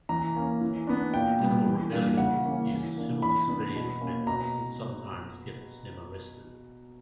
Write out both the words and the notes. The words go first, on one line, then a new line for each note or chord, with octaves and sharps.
Animal Rebellion use civil disobedience methods that sometimes get them arrested.
E3 A#5
A#3 C#4
E3
B3 D4
A#2 G5
G3 B3
E3
G3 A#3 D4
C#3 F#5
E3 A#3 C#4
E3
A#3 D4
E3 B5
B3 D4
B2
A#3 C#4
B2 A#5